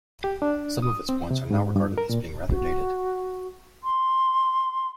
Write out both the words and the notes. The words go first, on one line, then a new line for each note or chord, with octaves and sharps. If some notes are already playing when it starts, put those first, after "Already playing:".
Some of its points are now regarded as being rather dated.
G4
D4
D#6
C4
C3
G#2
G2
A#4
A#2
F#4
C6